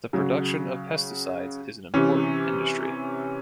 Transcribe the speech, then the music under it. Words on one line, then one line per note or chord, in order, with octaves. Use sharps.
The production of pesticides is an important industry.
C#3 F#3
C3 E3 C#4